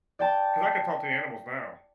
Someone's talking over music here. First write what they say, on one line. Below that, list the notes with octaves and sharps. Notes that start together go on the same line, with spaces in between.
cause I could talk to the animals now,
D5 G5 A5